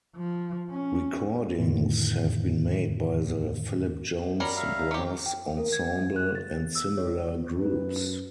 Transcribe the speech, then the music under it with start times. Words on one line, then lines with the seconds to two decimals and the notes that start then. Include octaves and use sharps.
Recordings have been made by the Philip Jones Brass Ensemble and similar groups.
0.16 F3
0.70 C#4
1.59 F2 A2 D3 D#3
4.40 F#3 G3 A#4
4.57 E5 F5 A#5
4.91 F#3 G4
5.26 G5
5.57 A#4
5.72 G#6
6.16 F#6
6.35 A6
6.75 E6
6.97 C#5
7.58 F#2 B4